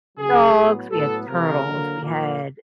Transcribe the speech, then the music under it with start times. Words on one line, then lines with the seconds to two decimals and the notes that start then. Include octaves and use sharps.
dogs, we had turtles, we had
0.17 C#3 F#3 A#3 G#4
0.54 A2 F#3 B3
0.90 A2 F#3 B3 A4
1.28 C3 F3 A3 A#4
1.64 D3 F#3 A#3
2.01 A#2 F3 A#3